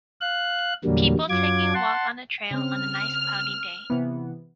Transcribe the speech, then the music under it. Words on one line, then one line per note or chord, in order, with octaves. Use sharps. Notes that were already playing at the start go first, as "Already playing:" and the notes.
People taking a walk on a trail on a nice cloudy day.
F5 F#6
E2 A#2 D3 F#3 G3 A#3
F#2 F#3 F4 D6 G#6
F#5 A5 C6
C#3 C4 F6
C3 E3 B3